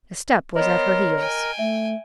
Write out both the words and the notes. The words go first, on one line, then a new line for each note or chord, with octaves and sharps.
A step was at her heels.
B3 A#4 C5 C#5 D#5
G5 G#5
A3 E5